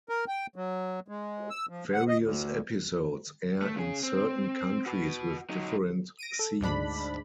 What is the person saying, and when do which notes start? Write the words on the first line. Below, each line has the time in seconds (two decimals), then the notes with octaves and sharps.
Various episodes air in certain countries with different scenes.
0.09 A#4
0.28 G5
0.56 F#3
1.08 G#3
1.50 E6
1.69 F3
1.94 F#5
2.08 D#5
2.22 D2
3.62 A3
3.76 C#3 G#4
4.03 C4
4.86 F#4 B4
5.50 F#3 D#4
6.19 A#6 D7 D#7
6.39 A4
6.61 D2 G#2 D4 B5